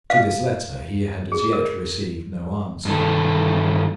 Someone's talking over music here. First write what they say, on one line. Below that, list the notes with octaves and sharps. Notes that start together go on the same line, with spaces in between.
To this letter he had as yet received no answer.
F5
G#4
A#4
G2 D#3 A4